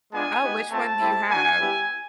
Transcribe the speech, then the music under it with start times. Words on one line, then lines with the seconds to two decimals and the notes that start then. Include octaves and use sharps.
Oh, which one do you have?
0.13 G#3 B3 D4 F4 G#5
0.43 B3 D#4 G4
0.71 A3 C4 F4 A5
1.01 A3 C4 E4 G4
1.30 A#3 D4 F#4 G#5
1.59 G3 B3 E4 G4